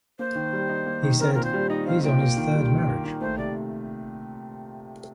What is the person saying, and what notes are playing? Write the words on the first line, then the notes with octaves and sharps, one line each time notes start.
He said, He's on his third marriage.
A#3 C5
D#3
G3
D#4
A#3
D#3
C4 A#4
A#2 A#4
C5
G3
D#4 D#5
C4 F5
A#2 G5
A#3
D#3
G3
D#3
A#3
D#3
A3 C5
C3 D5